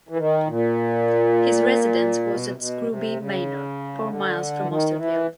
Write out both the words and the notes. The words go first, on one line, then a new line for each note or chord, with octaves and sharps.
His residence was at Scrooby manor, four miles from Austerfield.
E3
D#3
A#2
B2
C3
B2
C3
C#3
D3
E3
D#3
E3